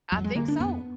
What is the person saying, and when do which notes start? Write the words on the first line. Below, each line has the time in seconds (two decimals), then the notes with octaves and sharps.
I think so.
0.12 F2 F#3
0.24 G#3
0.35 D3 A#3
0.48 D4
0.60 F2 B3